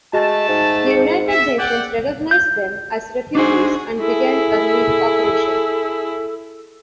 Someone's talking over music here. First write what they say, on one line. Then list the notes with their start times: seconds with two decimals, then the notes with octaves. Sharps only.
The United Nations recognised them as refugees and began a relief operation.
0.13 G#3 A3 F#4 A5
0.49 G#2
0.87 G#4 C#7
1.28 E5
1.58 D5 F#5 G5
2.31 G6
3.35 D4 D#4 F#4 G#4 C5
3.98 E4 G#4 A4